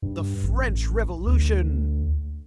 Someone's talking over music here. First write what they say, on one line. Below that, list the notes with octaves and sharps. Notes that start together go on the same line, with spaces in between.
"The French Revolution!"
G2
A1
D2